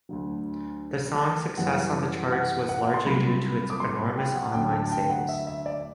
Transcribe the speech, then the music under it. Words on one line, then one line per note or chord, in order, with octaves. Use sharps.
The song's success on the charts was largely due to its enormous online sales.
D2 D3 F#3
F#2 E3 G3 F#5
F#5
F#5
C6
C2 C3 F#3 B5
D6
C6
B5
G5
F#5
D2 D3 F#3 G5
A5
A5
G5
F#5
E5
E5
D5